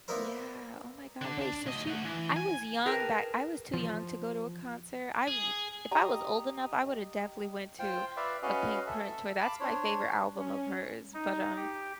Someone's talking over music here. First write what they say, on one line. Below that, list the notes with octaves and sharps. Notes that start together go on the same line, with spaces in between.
Yeah, oh my god, wait, so she I was young back I was too young to go to a concert, I w if I was old enough, I would've definitely went to a Pinkprint Tour that's my favorite album of hers, but, um
A#3 B3 D4 E4 A#4 C5
D3 D4
D4
D2 D#5
A3 F#5
E3
G#5
G#4 A#4 B4 G5 A5
F3
G#4
G4 D#5 A#5 D#6
F4 C5 G5
B4 D5 E5 F5
C#4 F#4 B4 D#5 F5
A4 E5
F5 A5 B5 D6
D4 C5 C#5
C#4
D#4
G4